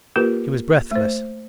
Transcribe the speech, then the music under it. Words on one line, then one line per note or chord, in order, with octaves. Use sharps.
She was breathless.
A#3 F4 G4 A#4 B4
A3 C5